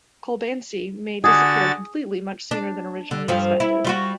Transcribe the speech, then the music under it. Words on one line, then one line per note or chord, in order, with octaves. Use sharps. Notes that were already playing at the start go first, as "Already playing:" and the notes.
Kolbeinsey may disappear completely much sooner than originally expected.
D3 F#4 G#4 A6
D4
D3
G2 F3
E4
G3 F4 F#4